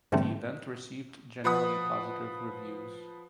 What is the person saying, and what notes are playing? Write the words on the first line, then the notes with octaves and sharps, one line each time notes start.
The event received generally positive reviews.
G#2 D3 E3 G3 A3 C4
F3 B4 F#5 D#6